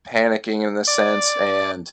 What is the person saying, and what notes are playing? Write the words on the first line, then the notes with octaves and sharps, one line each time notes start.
panicking in a sense, and,
D5